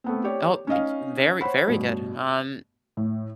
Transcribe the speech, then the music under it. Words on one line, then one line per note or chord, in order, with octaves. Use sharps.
oh, b j very, very good, um,
A3 B3 C4
G4 C#5 D5
C#4 D#4 D#5 F5
C5 C#5 F#5 B5
A1 G2 B2
A2